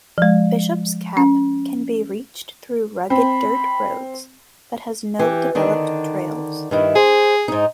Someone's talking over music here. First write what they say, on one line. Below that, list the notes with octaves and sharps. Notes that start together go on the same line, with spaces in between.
Bishop's Cap can be reached through rugged dirt roads, but has no developed trails.
F3 G#3
C#4
C4 B5
E3 G4
D3 D#3 D4
G2 D#3 E4
G#4 C5
G#2 D#4